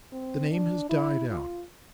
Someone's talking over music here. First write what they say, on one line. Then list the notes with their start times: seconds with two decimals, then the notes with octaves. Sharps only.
The name has died out.
0.12 C4
0.51 D4
0.89 E4
1.28 F4